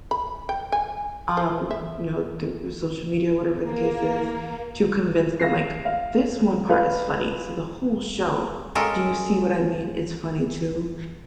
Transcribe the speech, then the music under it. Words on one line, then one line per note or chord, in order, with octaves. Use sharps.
um, you know, through social media or whatever the case is, to convince them, like, this one part is funny, so the whole show, do you see what I mean? It's funny too,
B5
G5
G#5
C5
E5
A#3
F5 A#6 C7
F5
F4 B4 F5
G#3 C#4 F4 G4 A4 A#4